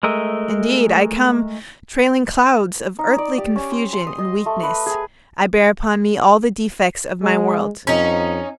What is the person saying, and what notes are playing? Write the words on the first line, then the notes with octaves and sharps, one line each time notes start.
Indeed, I come, trailing clouds of earthly confusion and weakness; I bear upon me all the defects of my world.
G#3 A3 A#4 D#5 E5
D#4
D5
G4
C#4
C5
C6
D#6
D#5
A3
B4
G#4
G#3
F2 C#4 D#4